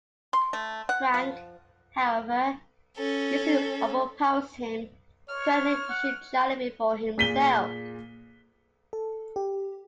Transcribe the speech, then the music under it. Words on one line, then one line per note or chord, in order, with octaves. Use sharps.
Frank, however, easily overpowers him, threatening to shoot Charlie before himself.
C6
A3
F#5
F3
C#4 A4
C#5 F6
F#5
A#2 G#4 B6 D#7 G7
A4
G4